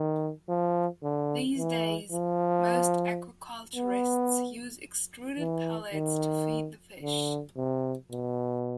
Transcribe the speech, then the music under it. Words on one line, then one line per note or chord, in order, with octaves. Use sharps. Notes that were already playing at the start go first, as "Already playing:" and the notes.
These days, most aquaculturists use extruded pellets to feed the fish.
Already playing: D#3
F3
D3
E3
F3
B3
E3
D#3
D3
C3
B2